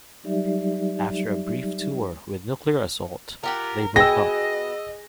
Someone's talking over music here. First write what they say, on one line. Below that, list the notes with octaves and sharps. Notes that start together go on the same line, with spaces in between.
After a brief tour with Nuclear Assault, they broke up.
F#3 G3 D#4 G4 D5 E5
F4 G4 A#4 F#5
B3 F#4 G#4 D#5 G5 E6 A#6